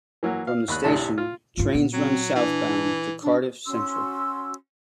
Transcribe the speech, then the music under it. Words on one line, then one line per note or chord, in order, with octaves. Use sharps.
From the station, trains run southbound to Cardiff Central.
E3 F#3 A#3
F5
D#2 B5 F#6
G#1 D2 A2 C3 A5
F4
G#2 D3 F4
A#2 B3
F#3 C4
E3 D4
D4
C#4 F#4 C6 E6